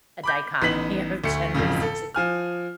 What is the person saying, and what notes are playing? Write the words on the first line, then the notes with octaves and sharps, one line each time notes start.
a dichotomy of genders, which is
B5 D6 G6
A1 B3 D#4 B6 F#7
D2 A3 C#7
E1 F2 G#2 C#3
A4
F3 G#5 F6